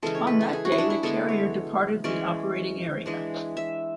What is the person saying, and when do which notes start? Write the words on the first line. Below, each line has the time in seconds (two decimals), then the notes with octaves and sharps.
On that day, the carrier departed the operating area.
0.02 C#3 E3 G#3 A4
0.15 C#5
0.27 B4
0.41 A4
0.53 G#4
0.65 F#4
0.72 E4
0.78 D4
0.90 E4
1.03 D3 G#3 B3 A4
1.29 C#5
2.04 E3 G#3 C#4 D5
3.06 E3 G#3 D4
3.57 E5